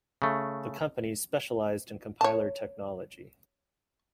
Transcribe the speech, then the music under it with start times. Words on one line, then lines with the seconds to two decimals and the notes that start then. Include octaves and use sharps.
The company specialized in compiler technology.
0.22 C#3 A3
2.21 C#5 A5